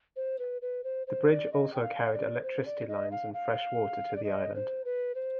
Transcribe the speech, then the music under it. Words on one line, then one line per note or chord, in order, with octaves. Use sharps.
The bridge also carried electricity lines and fresh water to the island.
C5
B4
B4
C5
C5
D5
D#5
G5
F5
D5
C5
D5
D#5
F5
F5
D5
D#5
C5
B4
C5